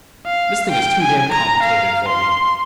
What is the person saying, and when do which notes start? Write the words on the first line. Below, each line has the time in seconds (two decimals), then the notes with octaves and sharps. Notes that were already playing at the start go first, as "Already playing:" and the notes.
This thing is too damned complicated for me.
0.26 F5
0.71 G5
1.02 G#5
1.32 A#5
1.63 F5
2.08 C6